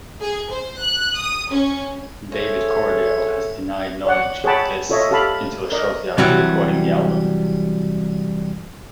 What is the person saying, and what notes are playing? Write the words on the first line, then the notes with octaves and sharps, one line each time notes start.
David Coverdale has denied knowledge of this until shortly after recording the album.
G#4
C5
F#6
D#6
C#4
G#4 A4 C5 C#5 E5
C#5 D5 F#5
G#4 C#5 F#5 G5 A5 B5
F4 A4 C#5 D#5 E5
G4 A4 F5 A5 B5
A#4 D5 D#5
C3 E3 F#3 G3